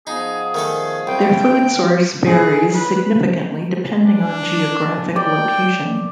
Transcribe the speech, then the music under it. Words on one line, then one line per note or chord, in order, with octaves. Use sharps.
Their food source varies significantly depending on geographic location.
F3 B3 D#4 G#4
D#3 A3 A4
C2 G5
G#4
B4
D4
D5 G5